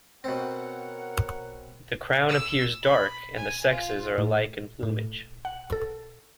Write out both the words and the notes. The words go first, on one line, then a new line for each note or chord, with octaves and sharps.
The crown appears dark and the sexes are alike in plumage.
B2 C4 A#4 C#5 F#5
E6
B5
G#5
F4
A2
A2
F#5
A4